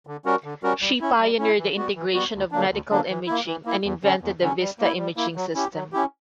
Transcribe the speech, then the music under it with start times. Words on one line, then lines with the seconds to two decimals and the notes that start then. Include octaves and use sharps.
She pioneered the integration of Medical Imaging and invented the Vista Imaging System.
0.07 D3
0.25 G3 C#4 F#4 A#4
0.44 D3
0.63 G3 C#4 F#4 A#4
0.82 G3
1.00 C#4 E4
1.20 G3
1.38 C#4 E4
1.58 E3
1.77 G3 B3 F#4
1.95 E3
2.14 G3 B3 F#4
2.33 D2
2.51 D3 F#3 A#3 D4
2.70 D2
2.90 D3 F#3 A#3 D4
3.09 E3
3.27 A#3 E4
3.46 E3
3.65 A#3 E4
3.84 E2
4.03 D3 F#3 C#4
4.21 E2
4.41 D3 F#3 C#4
4.60 G3
4.79 A#3 E4
4.98 G3
5.17 A#3 E4
5.36 F#3
5.55 C#4 E4 G4
5.74 F#3
5.92 C#4 E4 G4